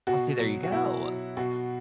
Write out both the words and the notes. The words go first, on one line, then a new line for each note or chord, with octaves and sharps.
Oh see, there you go.
B2 F#4
F#3
F#4
B2 E4
F#3
B2 F#4